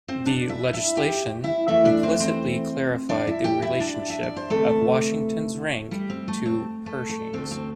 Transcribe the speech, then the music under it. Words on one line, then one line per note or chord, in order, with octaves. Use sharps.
The legislation implicitly clarified the relationship of Washington's rank to Pershing's.
C4 C5
D4 D5
E4 E5
E4 E5
G4 G5
E4 E5
E2 E3 A3 E4 E5
D4 D5
C4 C5
C4 C5
D4 D5
E4 E5
G4 G5
E4 E5
D4 D5
E5
D5
C5
D2 C3 E3 A3 A4
G3 G4
C4
A3
C4
A3 A4
A3 A4
D2 D3 A3 C4
C4